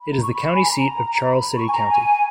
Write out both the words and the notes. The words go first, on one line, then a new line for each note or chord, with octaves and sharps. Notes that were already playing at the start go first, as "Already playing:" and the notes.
It is the county seat of Charles City County.
B5
A#5
C#6
B5
G#5
A#5
B5
C#6
G#5
A#5
G#5